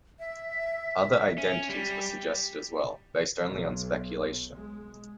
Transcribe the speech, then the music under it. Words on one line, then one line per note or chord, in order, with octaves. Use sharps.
Other identities were suggested as well, based only on speculation.
E5
C#4
G3
B1
G#3